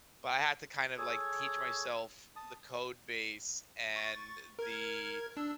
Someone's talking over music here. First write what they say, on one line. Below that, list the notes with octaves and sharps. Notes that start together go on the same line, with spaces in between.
but I had to kinda, like, teach myself the code base and the
G#4 A4 C#5
A5 D#6
C#6 A6
A#4 G#6
D4 E6